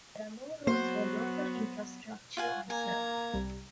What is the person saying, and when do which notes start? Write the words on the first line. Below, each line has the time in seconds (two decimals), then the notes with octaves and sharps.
There are no roads or local infrastructure on Cerf.
0.67 F#3 A#3 B3 F#4 C5
2.37 F4 F#5 G#5
2.70 A#3 G#5 A#5 G#6
3.34 C2 G3